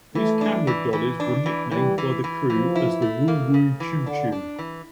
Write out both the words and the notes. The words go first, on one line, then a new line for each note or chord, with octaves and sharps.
These camera dollies were nicknamed by the crew as "the Woo-Woo Choo-Choo".
E3 A3
D4
E3
E3
D4
E3
E3 G3
E3
E3
E3 F3
E4
A3
A#3
C#3
E3
D3 D4
D4
E3